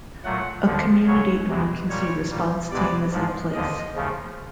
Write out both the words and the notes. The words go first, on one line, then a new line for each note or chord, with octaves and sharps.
A Community Emergency Response Team is in place.
A#2 F#3 A3 F#5
D#2 D3 F3
D#2 C#3 F#3 C#5
E2 C3 E3 G#3
A#2 G3 C#5
A#2 G3
E2 C3 E3 G#3 D5
G#2 F3 G#3
D#2 D3 F3 D#5
D#2 C#3 F3 A3